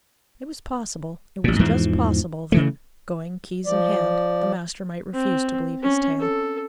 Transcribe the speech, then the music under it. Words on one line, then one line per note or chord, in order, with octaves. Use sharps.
It was possible, it was just possible that, going, keys in hand, the master might refuse to believe his tale.
A1 A#2
E2 G#2 E3 F3
C#3 E3 A3
F3 D5
C4
C#4
A4